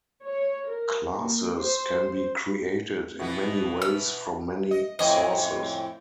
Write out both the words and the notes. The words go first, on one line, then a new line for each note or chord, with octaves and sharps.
Classes can be created in many ways from many sources.
C#5
A#4
A#3
C5
B2 E3 B3
E6
D#5
F2 A2 C4 D#5 G#5